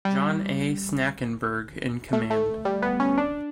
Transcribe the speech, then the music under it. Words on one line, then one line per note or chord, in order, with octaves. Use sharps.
John A. Snackenberg in command.
G3
A3
A3
G3
B3
C#4
D4